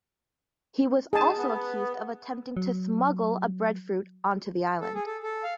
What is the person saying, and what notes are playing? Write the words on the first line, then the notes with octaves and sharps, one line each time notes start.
He was also accused of attempting to smuggle a breadfruit on to the island.
D#4 G#4 A5
B3
F#3
A4
G#4
A4
A4
F5